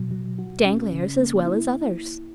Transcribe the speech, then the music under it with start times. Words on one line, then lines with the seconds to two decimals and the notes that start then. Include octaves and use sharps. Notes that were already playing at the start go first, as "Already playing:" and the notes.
"Danglars, as well as others."
Already playing: B2 F#3
0.11 F#3
0.38 F#4
0.65 C#4
0.92 C#3
1.19 A#3
1.46 E4